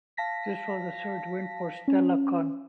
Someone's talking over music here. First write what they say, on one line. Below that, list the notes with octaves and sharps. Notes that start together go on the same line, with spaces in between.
This was the third win for Stella Kon.
F5 A5 A#6 B6
C#4